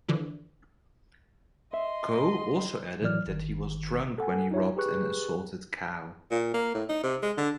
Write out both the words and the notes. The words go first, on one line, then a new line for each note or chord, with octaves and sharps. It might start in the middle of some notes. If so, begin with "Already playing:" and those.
Kho also added that he was drunk when he robbed and assaulted Cao.
D3 E3 F3
D#5 E5 C6
A2 E3 F#3 D5 F6
G1 D#3
A4 F#5 G#5
D#4 F4 C#5 E5
G4 G#4 B4 C#6 F#6
A#2
A#3
A2
D#4
C3
G#3
D3